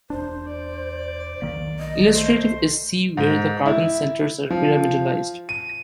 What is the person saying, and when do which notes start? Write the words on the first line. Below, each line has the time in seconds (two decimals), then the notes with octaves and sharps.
Illustrative is C where the carbon centres are pyramidalized.
0.10 E1 D4 C5
0.46 D5
1.42 B1 D#3 A#3
1.79 D#5
2.12 A3 C5
3.17 G#2
3.66 E4
4.50 F3
5.49 D#7